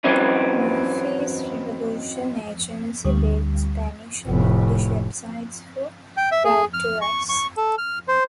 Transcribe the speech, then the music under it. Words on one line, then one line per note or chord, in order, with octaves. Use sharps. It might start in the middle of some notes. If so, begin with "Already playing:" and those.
Murphy's Revolution Agency built Spanish and English websites for Right to Rise.
E3 F#3 C4 C#4 D#4
D2 G3
F1 A2
G5
E5
G#4
F6
C#6
C#6
A4
F6
C5